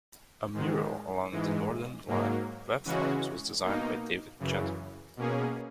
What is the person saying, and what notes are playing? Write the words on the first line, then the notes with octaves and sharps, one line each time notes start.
A mural along the Northern line platforms was designed by David Gentleman.
G#2 D#3 G#3
G#2 E3 G#3
G#2 F#3 A#3
C#3 E3 G#3 C#4 F#4
B2 A#3 D#4
F#2 C#3 E3
B2 A#3 C#4 G#4